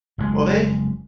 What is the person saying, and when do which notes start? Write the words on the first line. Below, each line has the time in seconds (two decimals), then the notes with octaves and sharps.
Well, they
0.18 F#1 F2 C3 G#3